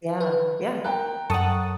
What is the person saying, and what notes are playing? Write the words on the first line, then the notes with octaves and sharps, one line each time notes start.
Yeah. Yeah.
B4
A#4 G5 A#5 F#6
F#2 A4 F#5 C#6 D#6 A6